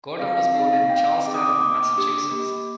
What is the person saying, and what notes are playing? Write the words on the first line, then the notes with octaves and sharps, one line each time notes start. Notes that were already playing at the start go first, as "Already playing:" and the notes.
Gordon was born in Charlestown, Massachusetts.
C4 F5
F5
D#4 G#4
F5
C4 G5
D#4 G#4 D6
D#6
D6
A#3 D6
D4 G4
A#3